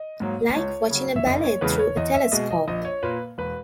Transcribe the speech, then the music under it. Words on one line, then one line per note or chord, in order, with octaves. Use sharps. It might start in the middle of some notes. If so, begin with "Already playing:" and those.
Like watching a ballet through a telescope.
Already playing: D#5
G#2 F#3 A#3
C#2 C#5
C#3 F#3
E5
F#1 D#5
C#5
E2 C#3 G#3 B4
C#5
E2 D#5
E5
B2 G#3 D#5
D#5
A#1 D#5
C#5
A#2 A#3 B4
E1 B4